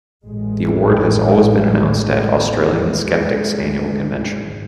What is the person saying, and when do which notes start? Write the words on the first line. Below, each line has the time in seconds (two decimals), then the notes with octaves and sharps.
The award has always been announced at Australian Skeptics' annual convention.
0.25 A1 A2 G#3
1.91 G#3
2.33 B3
2.74 G#3
3.57 G#1 G#2